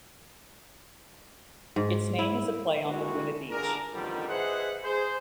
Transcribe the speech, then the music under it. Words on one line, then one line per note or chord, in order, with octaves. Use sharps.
Its name is a play on Laguna Beach.
G#2
E4
G2 A#2 G#3 E4 F#4
G1 D3 D4 G#4 A#4
A1 F2 D3 D#3 F3 G3
G#4 B4 C5 D#5 E5 F#5
G#4 C5